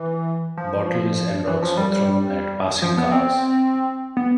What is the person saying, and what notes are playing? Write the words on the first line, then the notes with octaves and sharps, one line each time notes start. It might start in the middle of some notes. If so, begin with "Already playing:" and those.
Bottles and rocks were thrown at passing cars.
Already playing: E3
F3
E3
F3
G3
F3
B3
C4
B3